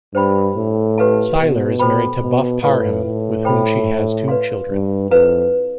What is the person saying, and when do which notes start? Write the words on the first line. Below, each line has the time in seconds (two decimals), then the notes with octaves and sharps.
Syler is married to Buff Parham, with whom she has two children.
0.14 G2 C5 G5 B5
0.56 A2
0.98 G4 B4 F5 A5
1.39 B2
1.79 A4 C5 G5 B5
2.21 B2
2.63 A2 F4 B4 F5
3.04 A2
3.45 A4 C5 G5 B5
4.28 B4 D5 F5 C6
4.69 G2
5.11 F2 E4 B4 F5